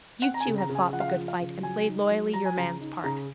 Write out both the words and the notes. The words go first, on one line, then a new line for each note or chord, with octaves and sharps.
You too have fought the good fight and played loyally your man's part.
C4 F#5
A#5
G#5
C#3
A#5
C#3
G#5
F3 F#5
F5
F#5
F3
F5
C#3
F#3 G#5
D#4
F#3
F#3 A#5
G#5
C#3 A#5
D#4
C#3 A#5